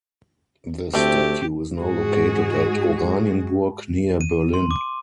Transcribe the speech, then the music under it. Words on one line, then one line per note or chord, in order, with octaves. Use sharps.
The statue is now located at Oranienburg near Berlin.
D2 A3 C4 G4
G#2 F#4 G#4
D#7
C6
D6